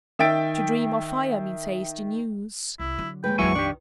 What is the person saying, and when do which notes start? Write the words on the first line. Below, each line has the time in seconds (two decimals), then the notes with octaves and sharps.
To dream of fire means hasty news.
0.19 D#3 E5 G5 A6 D7
2.80 C2 E4
2.98 D3 F#3
3.24 D#2 G#3 B4 G5
3.39 A#1 F2 F#3 E4 G#5 C#6
3.55 D#3 D4 G4